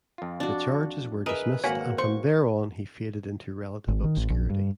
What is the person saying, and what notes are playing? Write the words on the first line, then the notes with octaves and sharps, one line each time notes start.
The charges were dismissed and from thereon he faded into relative obscurity.
F2 F4
D4 F#4
G#4 A#4 B4 D#5 E5
G#1 A#3 F#4 C#5 F#5 G#5 B6
C5 C6 C#6
G#1
D#3
A1
A#1
G2